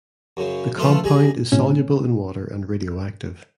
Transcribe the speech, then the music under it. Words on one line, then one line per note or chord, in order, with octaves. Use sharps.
The compound is soluble in water and radioactive.
F#2 C#3
F3 A3 F4 A4 B4 F5
G3 G#4 A#5
A2 C3 C#4